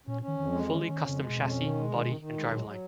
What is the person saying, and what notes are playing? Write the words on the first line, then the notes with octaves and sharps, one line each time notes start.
Fully custom chassis, body and drive-line.
A#2 C#4
C#4
D#3
F2 D#3
F3 G#3
D#3 C#4
C#4
D#3
F2
C#3
G#3
F2 B2
C#4
D#3
G#3
D#3
D#3
D#3
G#3
A#2 F#3
F#3